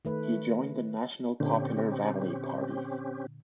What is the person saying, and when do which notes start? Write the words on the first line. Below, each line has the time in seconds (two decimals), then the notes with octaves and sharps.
He joined the National Popular Rally party.
0.05 D#3 A3 B4
1.40 A#2 D3 C4 C#4 G4